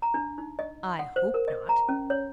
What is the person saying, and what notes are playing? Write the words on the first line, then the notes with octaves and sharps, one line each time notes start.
"I hope not."
A#5
D4
D#4
D#5
F#5
C5
A#4
D#5
A#5
C#4
C#5